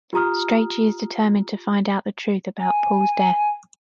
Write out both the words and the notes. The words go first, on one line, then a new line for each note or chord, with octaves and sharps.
Strachey is determined to find out the truth about Paul's death.
F4 G4 A#5 D#6 F6
G#5